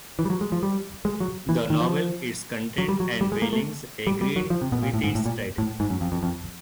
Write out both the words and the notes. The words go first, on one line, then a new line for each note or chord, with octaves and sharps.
The novel, its content and feelings agreed with its title.
E3
G3
F#3
G#3
F3
G3
G#3
F#3
E3
D#3
F3
F#3
G3
F#3
G3
G#3
A#3
A3
G3
G3
F#3
F3
C3
B2
A#2
A2
G#2
A2
A#2
A2
G#2
F#2
F2
F2
F2